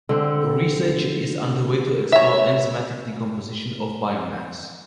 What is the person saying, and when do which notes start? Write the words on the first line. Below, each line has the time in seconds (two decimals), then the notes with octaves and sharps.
Research is underway to explore enzymatic decomposition of biomass.
0.09 D3 C4
2.12 C#5 E5